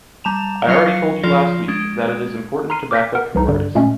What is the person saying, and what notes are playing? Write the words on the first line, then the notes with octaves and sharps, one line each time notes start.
I already told you last week, that it is important to back up your words.
G3 A5 A#5 E7 F7
F#3 F4 F5 A#6 C#7
F3 F4 D5 A#6
G#3 D4
A#5 C6 F6 C7 D#7
D6 F6 G6 A#6 B6
A#4 F#5
C2 E3 D#4
G2 D3 G3
A#2 G#3 A3 C#4